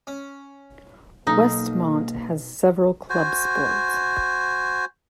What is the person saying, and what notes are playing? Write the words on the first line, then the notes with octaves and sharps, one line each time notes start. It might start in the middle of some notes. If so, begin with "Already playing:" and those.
Westmont has several club sports.
C#4
B1 A#3 D#4
F#4 C5 G#5